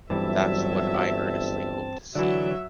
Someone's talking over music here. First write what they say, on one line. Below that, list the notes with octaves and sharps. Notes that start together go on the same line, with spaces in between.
That’s what I earnestly hope to see.
G1 G2 E3 F#3 G3 C4 E5 A5
D3 E3 F#3 D5 E5